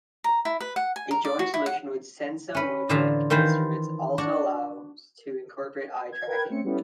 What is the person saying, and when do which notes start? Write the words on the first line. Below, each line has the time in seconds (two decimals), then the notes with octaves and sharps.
A joint solution with SensoMotoric Instruments also allows to incorporate eye tracking.
0.24 A#5
0.45 E4
0.61 B4
0.76 F#5
0.96 G#5
1.11 A#4
1.25 D5
1.39 F#4
1.54 E4
1.66 F#5
2.55 C#4 B4
2.89 A2 D3 E3 F4 E5 A#5
3.30 D#3 E3 F4 B4 C5
4.18 D4 F#4
6.12 G#6
6.27 A#4 B4 G5 G#6
6.50 A3 C4 C#4 C#7
6.64 G3 B3 C#4 E4 G4 A4